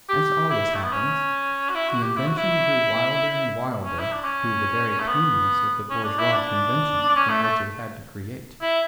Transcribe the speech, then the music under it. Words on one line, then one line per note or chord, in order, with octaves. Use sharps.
As always happens, the invention grew wilder and wilder through the very tameness of the bourgeois conventions from which it had to create.
G4
E4
A3
B3
C#4
F#4
E4
F#4
G4
E4
F#4
E4
C#4
E4
D4
C#4
A3
B3
C#4
D4
E4
D4
D4
C#4
A3
A3
E4